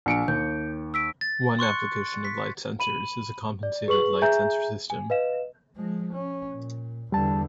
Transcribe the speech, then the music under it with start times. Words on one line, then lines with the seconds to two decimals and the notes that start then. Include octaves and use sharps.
One application of light sensors is the compensated light sensor system.
0.06 A#1 C#7 D7
0.28 D#2 G6
0.94 E6 B6 D7
1.21 A6
1.59 C6 C#6 F#6 C#7
2.25 B6
2.80 B5 D#7 F#7
3.63 D5
3.88 G#4 B4 C#6 F#7
4.22 G#4 E5 G#5 A#5 G6
4.90 G#5
5.10 B4 D#5 F5 E7
5.76 F3 G#3
6.13 C#4
6.52 A#2
7.12 E2 D3 G3 A5